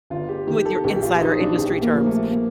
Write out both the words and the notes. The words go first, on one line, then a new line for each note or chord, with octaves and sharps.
With your insider industry terms.
G1 F4
G4
D#3 G4
A4
A#1 G4
F4
F4
F3 D#4
D4
A#1 G4
A#3
F3
A3
A#3